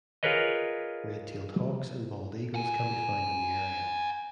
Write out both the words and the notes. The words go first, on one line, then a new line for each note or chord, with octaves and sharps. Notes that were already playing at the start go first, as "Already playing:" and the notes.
Red-tailed hawks and bald eagles can be found in the area.
F4 G#4 A#4 B4 C#5 D#5
F#5 G#5